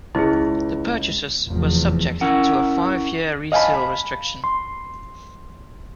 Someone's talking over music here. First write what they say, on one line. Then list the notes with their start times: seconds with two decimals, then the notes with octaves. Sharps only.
The purchases were subject to a five-year resale restriction.
0.15 C#2 E4 G#4
1.47 F1 E2 F3
2.21 C#4 E4 A#4 F#5
3.52 D#5 F5 G#5 A5 B5
3.75 B5
4.44 C6